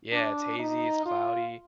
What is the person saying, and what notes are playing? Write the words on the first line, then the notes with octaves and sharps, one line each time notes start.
Yeah, it's hazy, it's cloudy.
D4
D#4
F4